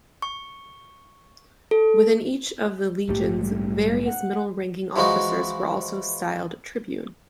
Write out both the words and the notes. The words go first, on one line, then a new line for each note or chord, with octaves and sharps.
Within each of the legions, various middle-ranking officers were also styled "tribune".
C#6
A4
A#1 G#2 A3 G4
G3
F#5
E3 F3 G#3 D#4 F#4